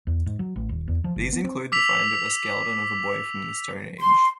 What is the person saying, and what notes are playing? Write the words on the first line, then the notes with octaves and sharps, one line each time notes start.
These include the find of a skeleton of a boy from the Stone Age.
E2
G#2
F#3
A1
D#1
E2
F3
G1
B3
C4
D6 E6 B6 F7
C6